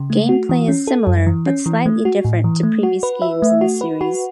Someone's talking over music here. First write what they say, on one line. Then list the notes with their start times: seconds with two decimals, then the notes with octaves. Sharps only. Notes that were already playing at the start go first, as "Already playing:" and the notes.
Gameplay is similar but slightly different to previous games in the series.
Already playing: C#3
0.10 A3
0.29 F#4
0.49 E3
0.68 C#4
0.87 A4
1.07 F#2
1.27 E3
1.46 C#4
1.66 E3
1.86 A3
2.05 F#4
2.25 A2
2.44 E3
2.63 A3
2.83 F#4
3.03 B4
3.22 E5
3.42 A3
3.61 F#4
3.81 B4
4.01 F#4